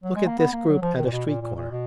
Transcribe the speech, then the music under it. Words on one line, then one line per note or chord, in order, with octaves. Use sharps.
Look at this group at a street corner.
F#3
G#3
A#3
B3
A#3
F#3
F3
D#3
A#2
B2
A#2
A#2
A#2
B2